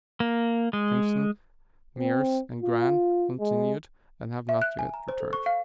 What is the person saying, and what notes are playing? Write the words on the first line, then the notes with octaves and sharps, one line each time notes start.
Simpson, Meares and Gran continued and have not yet returned.
A#3
G#3
C4
F4
G#3
E5
F#6
G#5
A#5
C5
A4
C#6
F5